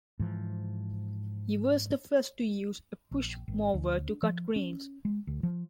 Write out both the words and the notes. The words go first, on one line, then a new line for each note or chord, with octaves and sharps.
He was the first to use a push mower to cut greens.
G#2 E3 F3
A#1
G#1
D2
D4
F3
C#4
G#3
D2
F3